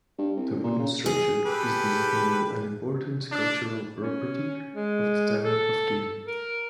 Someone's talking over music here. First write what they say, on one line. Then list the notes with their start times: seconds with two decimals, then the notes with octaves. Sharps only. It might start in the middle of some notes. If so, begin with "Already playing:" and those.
The wooden structure is designated an important cultural property by the Town of Kin.
0.18 G2
0.36 C2
0.51 A1
0.63 A#2
0.79 C#3
1.06 G#4
1.46 G4 A4 B4
3.31 D4
4.00 C#4
4.75 G#3
5.45 A4
6.26 A#4